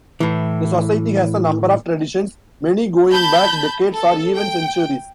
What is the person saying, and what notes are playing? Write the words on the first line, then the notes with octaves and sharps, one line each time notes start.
The Society has a number of traditions, many going back decades or even centuries.
A2 E3
A5 B5 G6
A4
G5